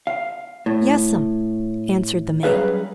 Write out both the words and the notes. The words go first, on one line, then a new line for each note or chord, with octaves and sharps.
"Yes'm," answered the maid.
F5
A2
F#3 G3 C#4 G#4 B4 F5